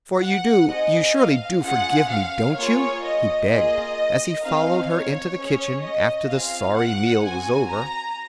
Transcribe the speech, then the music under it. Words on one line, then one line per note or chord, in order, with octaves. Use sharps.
"For you do--you surely do forgive me, don't you?" he begged, as he followed her into the kitchen after the sorry meal was over.
F#5
C4 D#4 G#4 D#5
F5
C#4 F4 G#4 F#5
F5
A#3 F4 G#4 C#5
D#5
A#3 F4 G#4 D#5
C4 D#4 G#4 F5
C#5
C#4 G#4
D#5
C4 F4 G#4 F5
F#5
C4 F#4 G#5
A#5